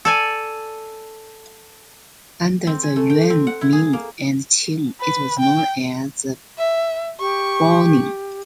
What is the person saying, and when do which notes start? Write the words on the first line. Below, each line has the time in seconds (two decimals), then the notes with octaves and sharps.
Under the Yuan, Ming, and Qing, it was known as Baoning.
0.05 A4 D5 G#5
2.67 C4
2.83 G#5
2.96 A3
3.10 G5
3.30 C4
3.47 F#5
3.61 E4
3.73 G#4
3.93 A#3
5.01 B4
5.39 G5
6.59 E5
7.20 G4 C#6